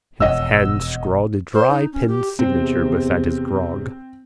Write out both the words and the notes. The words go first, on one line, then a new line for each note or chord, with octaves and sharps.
His hand scrawled a dry pen signature beside his grog.
E1 F2 C#5 D#5 F#5 E6
C5
D#4
C#4
G4
E2 C3 C4